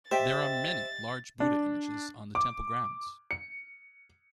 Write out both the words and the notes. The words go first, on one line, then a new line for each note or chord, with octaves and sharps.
There are many large Buddha images on the temple grounds.
G4 C5 D#5 E5 G5 A6
D4
D6
C#7